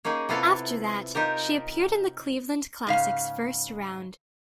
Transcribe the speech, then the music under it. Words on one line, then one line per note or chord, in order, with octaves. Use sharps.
After that she appeared in the Cleveland Classic's first round.
A#3 C#4 D#4 G#4
C3 B3 E4 F4 A4 F5
D#4 F4 G4 A#4
G#2 C#3 F5